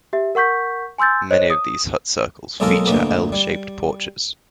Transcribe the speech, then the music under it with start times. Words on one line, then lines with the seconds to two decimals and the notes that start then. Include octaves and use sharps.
Many of these hut circles feature L-shaped porches.
0.13 G4 E5
0.35 A#4 F#5 C#6 G6 B6
0.98 G#5 C6 E6 G6 A6
1.31 C5 C#5 D#5
1.50 D#6
2.60 B1 G#3 A#3 D#4 A4 A#4
2.86 D2 A#2 E3 A#3 B3
3.32 G3